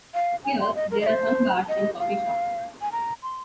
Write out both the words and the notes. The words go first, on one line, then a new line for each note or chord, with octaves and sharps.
Here, there are some bars and coffee shops.
F5
G#5
C6
D#5
A#4
D#5
C5
D#5
F5
G#5
A#5
C6